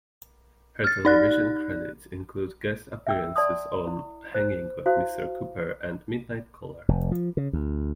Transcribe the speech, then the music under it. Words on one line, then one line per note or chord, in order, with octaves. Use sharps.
Her television credits include guest appearances on "Hangin' with Mr. Cooper" and "Midnight Caller".
F6 A6
D#4 D5 F#6
E5 G5 E6
D5 A5 C6 D#6
E4
C5
E4 F#4 C5 F5
F1
F3
C#3
D2